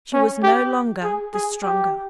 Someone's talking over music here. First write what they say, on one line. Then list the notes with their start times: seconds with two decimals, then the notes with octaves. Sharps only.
She was no longer the stronger.
0.13 C#4
0.43 G4
1.03 G#4
1.34 G#4
1.63 G4